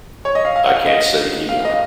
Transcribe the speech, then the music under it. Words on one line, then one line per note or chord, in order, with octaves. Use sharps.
I can't say anymore.
C#5
D#5
F5
F5
F#5
F5
D#5
F5
F5
D#5